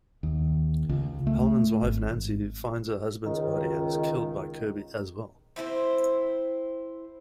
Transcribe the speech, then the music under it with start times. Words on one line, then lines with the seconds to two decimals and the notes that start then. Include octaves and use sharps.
Halman's wife Nancy finds her husband's body and is killed by Kirby as well.
0.23 D#2
0.89 C#2
1.27 A3
1.83 G#1
3.26 C#2 D#3
5.56 C4 E4 G#4 C5